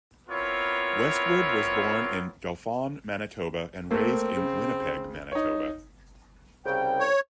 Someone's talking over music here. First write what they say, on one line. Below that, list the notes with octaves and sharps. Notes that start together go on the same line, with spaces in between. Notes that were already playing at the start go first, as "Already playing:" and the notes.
Westwood was born in Dauphin, Manitoba and raised in Winnipeg, Manitoba.
B3 C4 E4 F4 A#4 C#5
A3 A#3 C4
C#3
D#4 C#5
C2 C#3 G5
C#5